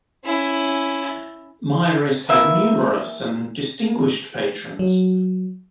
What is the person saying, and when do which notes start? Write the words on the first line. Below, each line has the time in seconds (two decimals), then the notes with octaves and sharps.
Mieris had numerous and distinguished patrons.
0.24 C#4 E4
2.29 E3 A#3 E5
4.79 F#3